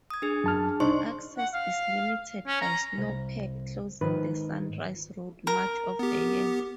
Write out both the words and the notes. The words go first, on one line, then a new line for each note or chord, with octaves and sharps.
Access is limited by snowpack closing the Sunrise Road much of the year.
D#6 G#6
D4 G#4
F#2 A5 F6
C2 D4 D#4 C5 C6 C#6
F#5
F5
C#4
A#5
C2
G#2 D#3 B4
A#4
B3 G4